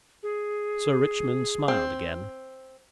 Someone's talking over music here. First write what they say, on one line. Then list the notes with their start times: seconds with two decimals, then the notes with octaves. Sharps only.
Sir Richmond smiled again.
0.23 G#4
1.68 C4